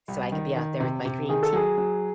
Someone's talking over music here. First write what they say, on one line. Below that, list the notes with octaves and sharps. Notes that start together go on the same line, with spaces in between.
with, so I could be out there with my green tea.
C2
D#3
D#3
C3
C3
D#3 G#4
A4
F#3 G#4
F#3